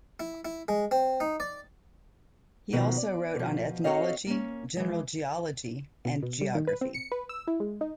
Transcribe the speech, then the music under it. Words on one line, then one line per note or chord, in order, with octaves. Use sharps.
He also wrote on ethnology, general geology, and geography.
E4
E4
G#3
C4
D#4
D5
B2 D#3 F3
D5
B2 F3
C4 F#4 A4 C#5 D#5 F5
A#3 C#4
E3 G#3
B2
B2
G3
D#3
B4
C4
C#7
B4
E6
E4
G#3
D#4